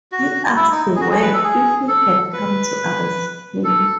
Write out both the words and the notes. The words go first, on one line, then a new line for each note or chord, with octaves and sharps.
He asked Webb if he had come to arrest him.
F#4
E4
D#4
G#4
F#4
G#4
B4
A4
G#4
A4
B4
A4